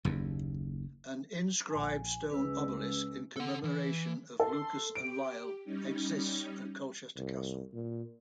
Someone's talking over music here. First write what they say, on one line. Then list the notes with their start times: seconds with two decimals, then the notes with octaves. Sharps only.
An inscribed stone obelisk in commemoration of Lucas and Lisle exists at Colchester Castle.
0.05 F#1 D#2
1.70 A#1 G#5
2.30 C#2 G#3 C#4 B4 E6
3.36 A4 F#5
3.63 E3
4.40 A4 C6
4.95 G4 D7
5.64 G3 C#4 D#4
7.16 C2
7.73 A#2